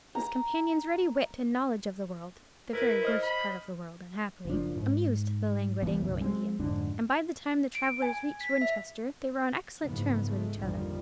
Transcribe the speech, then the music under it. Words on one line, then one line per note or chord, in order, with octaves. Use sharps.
His companion's ready wit and knowledge of the world--the very worst part of the world, unhappily--amused the languid Anglo-Indian: and by the time the travellers reached Winchester, they were on excellent terms with each other.
A#5
E4 A#4 B4
C5 D#5 F6
B5
F#1 F3 D4
G#2
C2 E3 A3 B3
B1 F#2 C#3
G#3 C4
F2 G#2 D3 D4
D7
G#5
B6
E5
F#1 G#2 F3 B3
G#3 A3
A#1 F2 D3 D#3 F3 G3